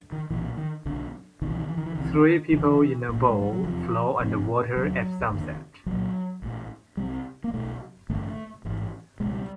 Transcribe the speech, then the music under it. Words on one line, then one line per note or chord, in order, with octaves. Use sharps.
Three people in a boat float on the water at sunset.
D#3
B1 A#2 E3
D#3
B1 B2 D3
C2 B2 D#3
E3
D#3
E3
D#3
E3
C2 C3 D#3
E3
D#3
F1 E2 C#3 E3
B1 A#2
G#3
G3
F#3
F1 E2 C3 F3
F1 F2 C3
E1 D#2 C#3 F#3
F1 D#2 D3
C2 A#2 F#3
A#1 A2
C2 C3 G3
A#3
B1 B2 A3
A1 G2 D3 A3
A1 G#2
C#2 B2 G#3
G3